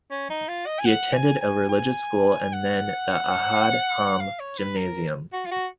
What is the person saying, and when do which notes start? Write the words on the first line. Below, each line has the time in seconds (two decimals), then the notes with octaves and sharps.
He attended a religious school and then the Ahad Haam gymnasium.
0.11 C#4
0.30 D#4
0.48 F4
0.67 D#5
0.79 G#5
0.85 F#5
1.13 G#5
1.41 G#5
1.69 G#5
2.53 F#5
4.21 F5
4.40 C#5
4.58 B4
4.77 A#4
5.33 F#4
5.46 F4
5.51 F#4